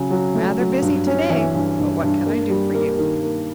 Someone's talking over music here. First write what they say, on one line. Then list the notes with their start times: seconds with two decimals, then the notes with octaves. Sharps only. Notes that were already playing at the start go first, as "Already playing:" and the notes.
"Rather busy to-day, but what can I do for you?"
Already playing: C#3 F#3
0.10 F#3
0.35 A3
0.58 F#3
0.82 G2
1.07 C#4
1.30 E3
1.54 G2
1.79 G2
2.02 G2
2.26 A#3
2.50 G3
2.74 A#3
2.98 D#3
3.23 A#3